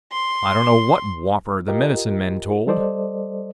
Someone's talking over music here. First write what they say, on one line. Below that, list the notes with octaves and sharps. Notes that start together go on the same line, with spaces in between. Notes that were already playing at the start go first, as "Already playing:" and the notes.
I don't know what whopper the medicine men told.
C6
F4 G4 A#4 D#5
G3 A4 C5 D5 D#5